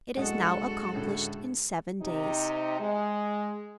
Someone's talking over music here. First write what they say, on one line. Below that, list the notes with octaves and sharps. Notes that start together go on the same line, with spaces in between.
It is now accomplished in seven days.
D1 G#3 D4 F#4 G#4 A4 F#5
C#2 A2 D3
C3 D#4 G4
G#3